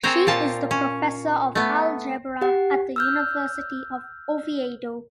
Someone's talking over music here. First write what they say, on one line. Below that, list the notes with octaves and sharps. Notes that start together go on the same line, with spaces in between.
She is the professor of algebra at the University of Oviedo.
C4 G#4 A#4 C5 C#5
A#2 F4 A5
C#4
A3 B3
G4 F#5
E6 F6 G6